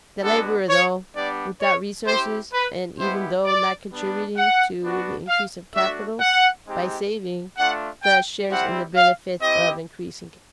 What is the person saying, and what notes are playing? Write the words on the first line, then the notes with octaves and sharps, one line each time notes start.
The laborer, though without resources and even though not contributing to the increase of capital by saving, thus shares in the benefit of increasing capital.
G#3 B3 D4 F#4 A4
C#5
G3 B3 D4 G4 D5
C#5
C4 E4 G4 C5
B4
G#3 B3 E4 G4 C5
D5
G3 B3 D4
F#5
B3 D4 F#4
F5
A3 D4 F#4 E5
F#5
G#3 C4 D#4 G4
A3 D4 F4 F#5
G5
G3 C4 E4 G4 F#5
F5
C4 E4 G4 D#5